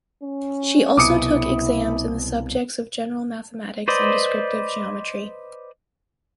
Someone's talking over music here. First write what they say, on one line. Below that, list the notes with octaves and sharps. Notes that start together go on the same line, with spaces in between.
She also took exams in the subjects of General Mathematics and Descriptive Geometry.
C#4
C2 B2 E4 D6 D#6 C#7
B4 C5 D5 D#5